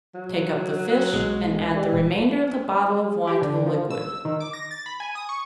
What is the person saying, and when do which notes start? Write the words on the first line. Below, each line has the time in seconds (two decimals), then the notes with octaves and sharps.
Take up the fish, and add the remainder of the bottle of wine to the liquid.
0.14 F#3
0.88 F#3
1.14 B1 G#3
1.53 D#3
1.74 G3
1.93 E1
3.27 G4
3.41 D3
3.66 F3
3.90 E6
4.25 D#3
4.40 D6
4.53 A#6
4.71 A6
4.86 B5
5.00 G#5
5.15 D#6
5.29 C#6